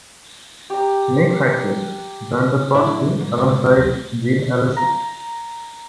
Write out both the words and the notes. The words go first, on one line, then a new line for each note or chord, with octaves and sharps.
Nick Heidfeld joined the Prost team alongside Jean Alesi.
G4 A#5
F#2 A2 D4 E4
G#2
D#2 F#3 A3
A#5